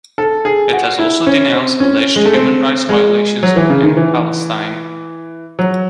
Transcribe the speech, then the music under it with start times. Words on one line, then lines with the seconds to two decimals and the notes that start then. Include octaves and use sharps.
It has also denounced alleged human rights violations in Palestine.
0.18 A4
0.45 G#4
0.73 F#4
0.99 E4
1.26 C#4
1.53 C4
1.80 C#4
2.16 G#3
2.25 A3
2.34 C4
2.89 G#3
3.43 F#3
3.56 E3
3.70 C#3
3.83 D#3
3.97 E3
5.59 F#3